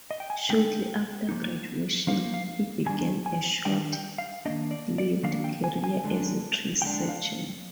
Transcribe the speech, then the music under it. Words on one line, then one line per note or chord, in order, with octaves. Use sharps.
Shortly after graduation, he began a short-lived career as a tree surgeon.
D#5
G5
G#5
D3 G#3 D#4 G5
F3 A#3 D#4
F3 A#3 D#4 F5
F5
D#3 G3 D4 G#5
G#5
D#3 G3 D4 G5
G5
F5
D#3 A#3 D4 D#5
D5
D5
D#3 A#3 D4 F5
G5
G#5
G#5
D3 G#3 D4
D3 G#3 D4 G5
F5